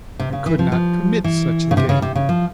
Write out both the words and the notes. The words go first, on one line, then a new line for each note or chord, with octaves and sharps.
I could not permit such a thing.
C3
C#3
E3
F3
F3
E3
C#3
C3
C#3
C3
C#3
F3